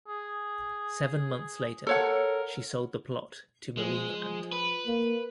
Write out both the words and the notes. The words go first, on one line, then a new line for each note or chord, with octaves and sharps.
Seven months later, she sold the plot to Marineland.
G#4
A4 A#4 C#5 F#5
F3 G#3
F3
B4
A#3